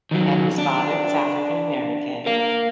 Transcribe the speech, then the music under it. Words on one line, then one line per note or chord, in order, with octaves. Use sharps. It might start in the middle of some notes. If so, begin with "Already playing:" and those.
and his father was African American,
D#3 F#3
D4
A#4 F5